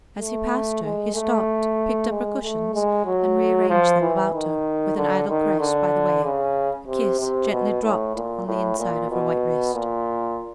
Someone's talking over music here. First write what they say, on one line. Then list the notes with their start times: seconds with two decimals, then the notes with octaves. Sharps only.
As he passed her, he stopped, picked up her cushions, and re-arranged them about her, with an idle caress by the way, a kiss gently dropped on the inside of her white wrist.
0.20 A3
0.84 G#3
1.15 A3
2.10 G#3
2.43 A3
2.74 G#3
3.06 F#3
3.69 F3
4.01 E3
4.34 D#3
4.97 D3
5.29 D#3
5.60 D3
6.24 C#3
6.88 C3
7.20 C3
7.51 B2
7.83 A2
8.15 A#2
8.47 A2
8.79 A#2
9.10 B2
9.74 A#2